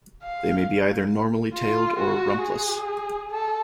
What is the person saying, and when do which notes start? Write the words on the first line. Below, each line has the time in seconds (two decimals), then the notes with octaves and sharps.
They may be either normally tailed or rumpless.
0.23 F5
1.54 F4
1.99 F#4
2.42 G#4
3.31 A4